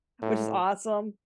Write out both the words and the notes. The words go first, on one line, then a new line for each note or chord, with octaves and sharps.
which is awesome,
A2